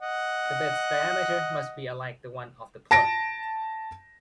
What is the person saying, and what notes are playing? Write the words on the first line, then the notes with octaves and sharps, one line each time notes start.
The bit’s diameter must be alike the one of the plug.
D#5 F#5
A5 A#6 D7